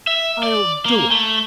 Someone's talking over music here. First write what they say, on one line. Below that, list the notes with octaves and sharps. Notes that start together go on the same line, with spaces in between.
I'll do it....
E5
D5
A#3
A3